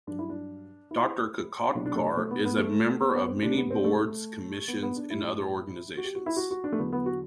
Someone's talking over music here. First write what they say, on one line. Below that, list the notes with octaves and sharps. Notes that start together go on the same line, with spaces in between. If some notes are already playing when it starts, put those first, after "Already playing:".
Doctor Kakodkar is a member of many boards, commissions, and other organizations.
G2 F#3 D4
E4
D4
E4
C2 B2 F#3 D4
D4
A3
A3
B3
B3
A3
B3
B3
C4
D2 C3 G3 D4
B3
C4
A3
B3
B3
D4
A2 G3 E4
F#4
G4
F#4
E4
F#4
F#4
D4
A3
E2 D3 F#3 B3
B3
F#4